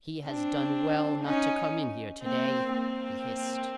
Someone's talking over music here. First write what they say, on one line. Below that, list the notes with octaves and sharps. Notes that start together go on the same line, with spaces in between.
"He has done well not to come in here to-day!" he hissed.
C4 D4
C#4 D#4
A#3 C4
A#3 C4